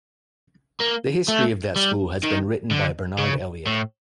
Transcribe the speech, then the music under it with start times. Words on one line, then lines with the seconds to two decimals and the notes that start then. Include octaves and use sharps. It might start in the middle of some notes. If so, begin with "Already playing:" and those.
The history of that school has been written by Bernard Elliott.
0.80 A#3
1.28 A3
1.76 G3
2.23 D#3
2.71 D3
3.19 C#3
3.66 A2